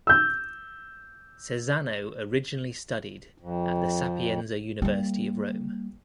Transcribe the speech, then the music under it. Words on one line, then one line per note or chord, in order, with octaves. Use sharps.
Cesano originally studied at the Sapienza University of Rome.
E6 G6
F2
G3 A#3